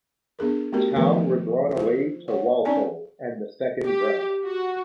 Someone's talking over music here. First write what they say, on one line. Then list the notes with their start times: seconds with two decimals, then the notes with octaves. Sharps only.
Town were drawn away to Walsall in the Second round.
0.39 B3 D4 G#4 A#4
0.73 A3 B3 C4 F#4 G4 A#4
0.96 D#3 F3 A3 B3 A#4 B4
1.76 F4 C5
2.28 C#5 F#5
2.65 C4 C#4 D#4 D5 G#5 A5
3.85 G4
4.45 F#4